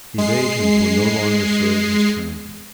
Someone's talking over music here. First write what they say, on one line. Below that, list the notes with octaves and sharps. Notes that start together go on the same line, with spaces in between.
Evasions would no longer serve his turn.
G#3 C7